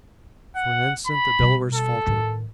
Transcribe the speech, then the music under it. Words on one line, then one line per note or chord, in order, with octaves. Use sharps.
For an instant the Delawares faltered.
F#5
B5
B2 G3
A4
A2 D#3